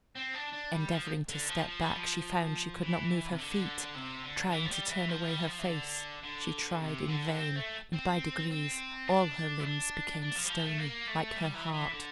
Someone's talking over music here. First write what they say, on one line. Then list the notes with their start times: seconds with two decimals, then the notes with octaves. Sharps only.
Endeavoring to step back, she found she could not move her feet; trying to turn away her face, she tried in vain; and by degrees all her limbs became stony like her heart.
0.15 C4
0.35 D4
0.53 D4
0.72 G3
0.91 F3
1.29 D3
1.48 F3
1.67 F3
1.81 G3
1.95 F3
2.81 E3
3.30 C3
3.38 D3
3.95 C3
4.24 D3
4.52 E3
4.65 F3
4.71 G3
4.90 E3
5.09 F3
5.28 G3
5.47 F3
5.59 E3
5.66 D3
6.23 D3
6.80 C3
7.08 D3
7.37 C4
7.56 A3
7.93 C4
8.50 C4
9.08 D4
9.60 E4
9.65 D4
10.21 D4
10.35 F3
10.45 G3
10.50 F3
10.65 A3
10.78 A#3
11.07 A3
11.35 G3
11.55 E3
11.73 E3
11.92 D3